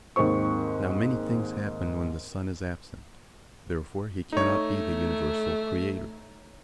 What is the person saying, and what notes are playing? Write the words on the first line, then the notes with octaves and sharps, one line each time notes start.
Now many things happen when the Sun is absent; therefore he cannot be the universal creator.
D#2 G#2 C4 C5 C#6
A3 D#4 C#5